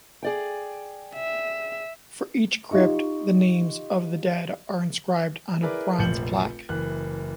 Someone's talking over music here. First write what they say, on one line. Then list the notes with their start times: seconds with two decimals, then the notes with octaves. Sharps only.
For each crypt the names of the dead are inscribed on a bronze plaque.
0.23 G#4 D5 G5
1.15 E5
2.71 D#4 F4 G4 D#5 C#6
5.61 E4 G#4 A#4 B4 D5
5.99 F1 A#1 G6 C#7 F#7
6.69 F#1 E3 F#6